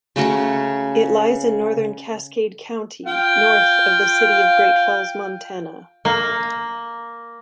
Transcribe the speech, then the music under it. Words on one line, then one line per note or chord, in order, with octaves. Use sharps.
It lies in northern Cascade County, north of the city of Great Falls, Montana.
C#3 A3 F#4 A#4
F4 F5 G5
A#3